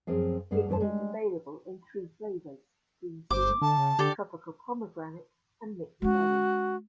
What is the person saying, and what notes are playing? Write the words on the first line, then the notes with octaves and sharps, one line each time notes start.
It is available in three flavors: Green Tea, Tropical Pomegranate, and Mixed Berry.
F#2 F3 C4 G#4 F5
G2 G3 G#4 F5 F#5
E2 G2 A4 C5 A5
G3 G#3
G1 C5 D6
D3 A5
C#3
D3 G4 A4 D5
G#3 C#4 F#4